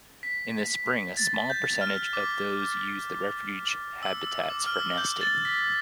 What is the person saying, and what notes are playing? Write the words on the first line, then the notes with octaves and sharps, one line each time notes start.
In the spring, a small percentage of those use the refuge habitats for nesting.
B6
A6
G6
F6
D6
E6
E6
D6
F6
E6
G6
A6
B6